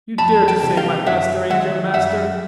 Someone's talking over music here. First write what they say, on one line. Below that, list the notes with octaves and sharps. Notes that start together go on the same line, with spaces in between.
You dare to say my master ain't your master!
F2 A5 B5
G5 A5
C3 E3 G3
F5 G5
F#2 E5 F#5
D#3 G#3 E5 F#5
F#2 E5 F#5